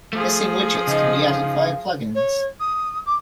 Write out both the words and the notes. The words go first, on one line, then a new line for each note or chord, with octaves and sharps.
Missing widgets can be added via plugins.
F3 A3 G#4
C#3 D#4 D#5
F5
C#5
D#6
D6